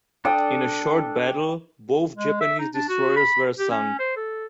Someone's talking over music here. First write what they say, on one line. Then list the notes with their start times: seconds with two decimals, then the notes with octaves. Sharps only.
In a short battle, both Japanese destroyers were sunk.
0.25 D4 A4 D5 G5 D#6
2.16 G#3
2.41 E5
2.59 D#4
2.74 D4
2.89 F#4
3.17 B5
3.58 G4
3.71 C#4
3.99 C5
4.16 A4